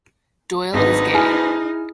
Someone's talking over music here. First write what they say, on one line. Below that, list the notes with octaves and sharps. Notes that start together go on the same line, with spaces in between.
Doyle is gay.
G#1 D2 G#2 B3 D#4 B4
E4 G#4 G#5 F6